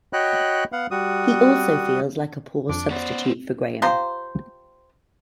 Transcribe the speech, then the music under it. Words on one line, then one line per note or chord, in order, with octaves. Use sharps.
He also feels like a poor substitute for Graham.
F#4 C#5 D#5 G5 B5 F#6
B3 F5 F#5
G3 F#4 D#6
F2 D4 D6
B3 C#4 C5 D5
F4 G4 C5 A#5